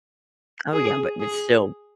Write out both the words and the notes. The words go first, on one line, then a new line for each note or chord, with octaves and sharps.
Oh, yeah, but it's still
G#4
G#4